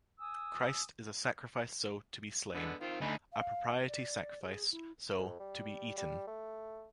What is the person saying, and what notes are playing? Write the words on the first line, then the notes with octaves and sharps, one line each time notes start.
Christ is a sacrifice-so, to be slain; a propitiatory sacrifice-so, to be eaten.
G#5 D#6 E6
D3 G#3 B3
D#3 C4 F4
D2 D3 D#4 G#5 B5
F5
D5
G#4
E4
F2
G3
G3
A3